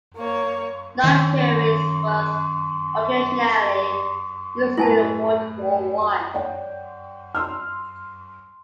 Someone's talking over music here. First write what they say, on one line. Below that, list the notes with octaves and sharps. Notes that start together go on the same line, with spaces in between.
Knobkieries was occasionally used during World War One.
A#3 C#5
D#3 C#4
A2 E4 B4 G#5 A5
C#5 D5 F#5 G5
C6 E6 F6